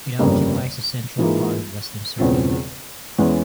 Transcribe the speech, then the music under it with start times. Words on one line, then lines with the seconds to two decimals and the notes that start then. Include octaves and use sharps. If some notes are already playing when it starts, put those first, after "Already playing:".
It occupies the central part of western Serbia.
0.19 G1 F2 C#3 G3 A#3
1.18 G#2 E3 A#3 F4 G#4
2.18 E1 E2 C#3 F3 C4
3.18 E2 E3 G#3 C#4